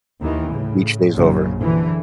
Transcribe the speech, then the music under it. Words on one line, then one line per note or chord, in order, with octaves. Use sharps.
Beach day's over.
D#2 D#3 E3
A2 C#3
A#1 F#2 A#2 C#3
A#1 D3 E3